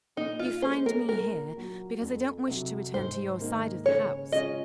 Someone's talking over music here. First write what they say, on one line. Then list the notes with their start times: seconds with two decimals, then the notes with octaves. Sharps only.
"You find me here, because I don't wish to return to your side of the house."
0.17 A#2 D#4
0.39 F4
0.62 G#3 C#4 C5
0.86 A#4
1.09 A#2 A#4
1.55 F#3 A#3
2.01 F2
2.48 C3 F#3
2.94 G#2 C5
3.40 D#3 A#3
3.86 C#3 C#5
4.32 G#3 C#4 F4 D#5